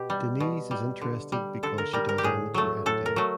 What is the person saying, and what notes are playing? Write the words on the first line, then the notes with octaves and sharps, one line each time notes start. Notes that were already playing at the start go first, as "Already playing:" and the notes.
Denise is interested because she does amateur editing.
Already playing: B2 G4
G3
B2
G3
D3
G3
D3 A4
A#4
G3 A#4
A#4
G4
A2 G#4
F#3 A3
A2 A4
A#4
F#3 A3